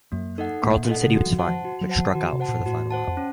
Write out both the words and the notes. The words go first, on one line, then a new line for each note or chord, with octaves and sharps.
Carlton said he was fine, but struck out for the final out.
F#2 A#3
D#4 A4 D#5 F#5
A#2 A#3
D#4 A4 D#5 F#5
C#3
D#3 F#4
F#3
F3
C5 F#5 A5
F3
F#4
F#3
C5 F#5 A5
F3
D#3 F#4
C3
C5 F#5 A5
A#2
F#2
A2 F#4
C5 F#5 A5
F2
C#4